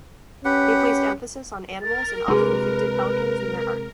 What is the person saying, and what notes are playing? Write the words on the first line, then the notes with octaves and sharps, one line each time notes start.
They placed emphasis on animals and often depicted pelicans in their art.
C#4 G4 B4 F#5
A#4 A6
C3 G#3 D4 F#4 G#4 B4